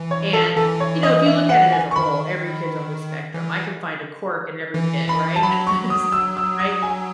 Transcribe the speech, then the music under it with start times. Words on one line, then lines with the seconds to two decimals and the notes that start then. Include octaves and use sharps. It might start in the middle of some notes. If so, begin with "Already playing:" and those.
And, you know, if you look at it as a whole, every kid's on the spectrum. I can find a quirk in every kid, right? Is th right?
Already playing: E3
0.11 C#5
0.33 A4
0.56 E3 A4
0.80 C#5
1.03 D#5
1.26 E5
1.49 F#5
1.72 G#5
1.91 C#6
1.96 D#3 B5
3.34 E3
4.74 E3
5.08 E3 B5
5.36 A5
5.43 F#3 B5
5.67 C#6
5.90 D#6
6.12 E6
6.37 E6
6.59 D#6
6.82 G#5